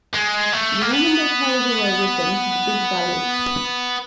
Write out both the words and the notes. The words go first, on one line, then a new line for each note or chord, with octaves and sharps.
The women they carried away with them to the Big Valley.
G#3
A3
A#3
B3